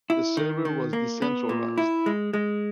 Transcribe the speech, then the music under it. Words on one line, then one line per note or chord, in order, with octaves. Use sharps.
The server was decentralized.
E4
D#3
D#3
A#3
B3
A#2
E4
G#3
G#3